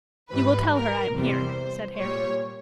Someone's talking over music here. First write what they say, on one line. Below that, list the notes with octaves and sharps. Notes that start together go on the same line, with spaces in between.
'You will tell her I am here?' said Harry.
G#2 E3 G3 B4
A#4
E2 C3 E3 G3 C5
A#2 G3 C#5